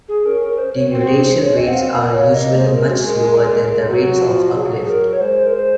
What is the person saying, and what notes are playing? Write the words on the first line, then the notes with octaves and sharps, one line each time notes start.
Denudation rates are usually much lower than the rates of uplift.
G#4
C#4 A#4
A#4
A#4
C5
C#5
C4 F#4
G#4
G#3 C5
C#5
C4 D#5
F#5
F5
A#3 F5
C#5
D#5
G#3 C5
G#4
A#4
F#4
A#4
F#3 F#4
F3
F#3 G#4
A#4
C#5
G#3 C5
A#4
C5